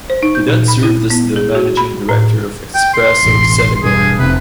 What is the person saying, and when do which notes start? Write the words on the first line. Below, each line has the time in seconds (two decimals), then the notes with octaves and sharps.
He then served as the managing director of Expresso Senegal.
0.10 C5
0.23 D#4
0.35 G6
0.48 A#2
0.68 B5
0.83 E4
1.10 B3
1.36 G#4
1.55 F#4
1.77 B5
2.09 A2
2.75 G5
2.94 C6
3.23 E1 A1
3.83 E1 G2 G#4
4.19 F1 C3 B4